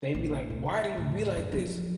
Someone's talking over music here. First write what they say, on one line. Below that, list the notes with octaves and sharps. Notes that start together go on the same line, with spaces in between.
They'd be like, "Why do you be like this?"
A#1
D1 D2
D#3
D#2 A2
F#2 C#4
F3 F#3